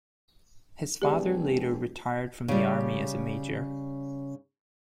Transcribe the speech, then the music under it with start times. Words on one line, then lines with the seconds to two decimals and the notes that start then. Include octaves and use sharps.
His father later retired from the army as a major.
1.02 E1 G4 G#4 D5
2.48 C#3 G3